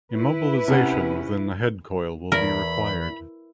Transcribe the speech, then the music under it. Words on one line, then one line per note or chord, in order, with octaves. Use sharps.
Immobilization within the head coil will be required.
E4 B4
C3 C#4 F#5
E2 A#4 B5